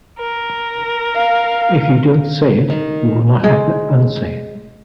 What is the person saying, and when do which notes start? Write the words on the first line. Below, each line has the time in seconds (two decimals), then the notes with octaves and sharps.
If you don't say it you will not have to unsay it.
0.19 A#4
1.16 F5
2.70 D#3
3.44 G#3